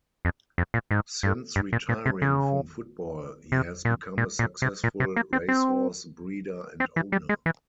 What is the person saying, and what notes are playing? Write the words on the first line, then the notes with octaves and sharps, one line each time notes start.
Since retiring from football, he has become a successful racehorse breeder and owner.
F2
F2
A#2
G#2
G2
G2
A#2
A#2
C3
C#3
C3
A#2
A#2
A#2
C3
A#2
C3
A#3
C4
C4
C4
E3
G3
G#3
E3